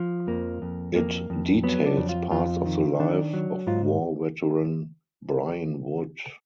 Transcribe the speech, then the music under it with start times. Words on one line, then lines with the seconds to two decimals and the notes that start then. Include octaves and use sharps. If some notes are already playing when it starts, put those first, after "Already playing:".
It details parts of the life of war veteran Brian Wood.
Already playing: F3
0.27 F2 A#3
0.62 F2
0.96 F2 A#3
1.30 F2
1.63 F#3 B3
1.86 D4
1.97 F2
2.09 F4
2.31 F2 F4
2.66 D#3
3.00 D#3 D4
3.33 F#3
3.67 G#2 F4